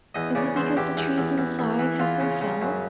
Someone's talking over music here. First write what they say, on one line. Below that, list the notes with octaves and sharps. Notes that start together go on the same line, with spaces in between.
Is it because the trees inside have been felled?
E2 D#5
C#3 D5
E2 C5
E2 G4
E2
E2
E2
E2
E3
E2 F4
C#3
C#3
F#2